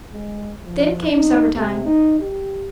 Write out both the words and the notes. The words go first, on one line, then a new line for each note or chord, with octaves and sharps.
Then came supper-time.
G#3
F3
D#4
C3
D#4
G4